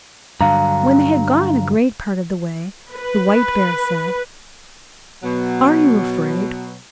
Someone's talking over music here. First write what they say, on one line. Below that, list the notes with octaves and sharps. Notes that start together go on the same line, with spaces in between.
When they had gone a great part of the way, the White Bear said: "Are you afraid?"
G2 D3 F#3 F5 A#5
B4
B2 F#3